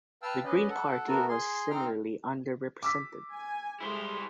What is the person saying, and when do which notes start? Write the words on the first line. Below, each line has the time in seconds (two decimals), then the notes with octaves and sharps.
The Green Party was similarly under-represented.
0.22 B4 F5 G5 A5 E6 F6
0.44 C#4 B4 D5 D#5
0.69 A4 F#5
1.07 A3 B3 F#4 A4 A#4
1.28 G#4 C6
1.70 C4 D#4 C5 G5 F6
2.83 D6 E6 B6
3.33 G#5
3.80 G3 G#3 E4 A4 C5